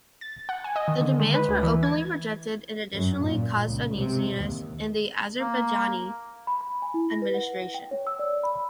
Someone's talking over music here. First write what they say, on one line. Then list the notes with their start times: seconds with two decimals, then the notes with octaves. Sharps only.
The demands were openly rejected and additionally caused uneasiness in the Azerbaijani administration.
0.21 A6
0.49 F#5
0.64 G#5
0.76 D#5
0.88 D#3
1.01 D3
1.20 G#3
1.34 B4
1.48 D2
1.63 E3
1.83 G#6
2.94 F#2
3.24 A#2
3.64 C#2
3.96 C3
4.34 D#2
5.40 A#3
6.47 B5
6.61 B5
6.82 G#5
6.94 E4
7.10 A#6
7.22 B4
7.34 F#5
7.74 G5
7.91 C#5
8.07 E6
8.19 D5
8.44 B5